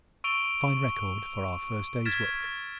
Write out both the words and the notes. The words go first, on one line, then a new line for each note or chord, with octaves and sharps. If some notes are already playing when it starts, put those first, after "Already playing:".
A fine record for our first day's work.
C#6 E6 D7 D#7 F7 G7
F6 G#6 A6 B6 E7